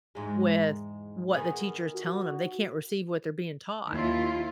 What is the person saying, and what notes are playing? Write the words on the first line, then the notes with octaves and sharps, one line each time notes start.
with what the teacher is telling 'em, they can't receive what they're being taught.
E2 G#2 G#3
D#3 B3 G#4
F#4
D#2 E4 F4